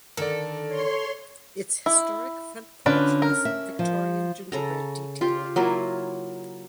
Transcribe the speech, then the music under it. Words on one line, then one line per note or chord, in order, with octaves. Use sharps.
Its historic front porch has Victorian gingerbread detailing.
D3 D#3 A4 A#4 D5
C#5 C6
E4
D3 C#4 F4 B4 D5
A#4
E5
F3
C#3 A4 A#5
F4 G4
F#3 A#3 E4 F4